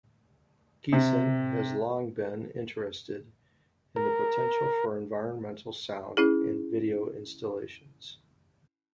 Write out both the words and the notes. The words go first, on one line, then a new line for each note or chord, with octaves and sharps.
Geesin has long been interested in the potential for environmental sound and video installations.
C3
A#4
C#4 E4 G#4